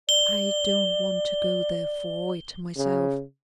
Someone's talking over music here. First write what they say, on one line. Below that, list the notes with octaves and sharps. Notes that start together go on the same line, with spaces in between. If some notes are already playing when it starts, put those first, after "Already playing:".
I don't want to go there for it myself.
D5 G7
C#3